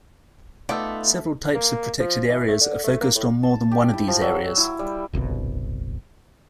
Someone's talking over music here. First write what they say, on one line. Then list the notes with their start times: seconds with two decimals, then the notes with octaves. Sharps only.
Several types of protected areas are focused on more than one of these areas.
0.69 A3 B3 D#4 F4 A4 D5
1.55 A#3
2.00 F3
2.29 E3
2.48 A3
2.61 D3
2.84 A3
3.01 A#3
3.15 A2
3.43 A5
3.71 G4
3.93 E4
4.08 F3
4.22 F#3
4.58 E4
4.79 G3
5.13 D1 G1 C2 B2